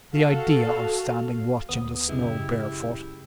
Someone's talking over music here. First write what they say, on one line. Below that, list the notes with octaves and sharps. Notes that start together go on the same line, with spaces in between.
"The idea of standing watch in the snow barefoot!"
F#4 A4 F5
D2 B3 D#6
F#2 C#3 G#3 E4 G4